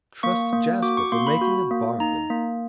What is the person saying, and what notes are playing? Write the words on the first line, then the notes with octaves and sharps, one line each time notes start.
Trust Jasper for making a bargain!
A#3 C#6
A#3
F#4 D6
C#6
A#3 C6
B5
F#4
A#3
D#4 A#5
A#3